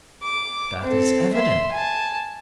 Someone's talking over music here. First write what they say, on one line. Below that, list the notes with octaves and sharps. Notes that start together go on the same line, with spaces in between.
That is evident.
D6
C4 A4
E5 C6
G#5 A5